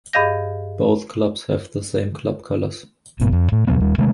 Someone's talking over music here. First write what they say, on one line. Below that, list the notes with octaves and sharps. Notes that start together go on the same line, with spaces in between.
Both clubs have the same club colors.
G2 G#4 D#5 F5 G6 A#6
G1 G#2 B2
F2
A2
D#2 B2 F#3 B3
D#2 G3
C3 D#3 G#3 A3